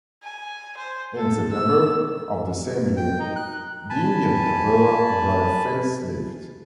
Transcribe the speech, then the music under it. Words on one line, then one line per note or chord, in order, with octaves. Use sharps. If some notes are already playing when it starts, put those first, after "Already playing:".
In September of the same year, the Indian Tavera got a facelift.
G#5
C5
A4
E6
G5
D#4
F#6
G#5 A5 B5